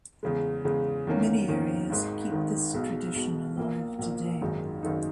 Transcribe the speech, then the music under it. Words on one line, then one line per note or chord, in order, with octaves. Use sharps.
Many areas keep this tradition alive today.
E2 C#3 G#3
E2 C#3 G#3
E2 D#3 A#3 C#4
E2 D#3 A#3 C#4
G#1 G#2 D#3
G#1 G#2 D#3
B1 B2 G#3
B1 B2 G#3
A#1 A#2 A#3
A#1 A#2 A#3
G#1 F#2 D#3 G#3 D#4
G#1 F#2 D#3 G#3 D#4